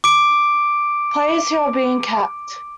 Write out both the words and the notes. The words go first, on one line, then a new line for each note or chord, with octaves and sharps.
"Players who have been capped".
D6 D7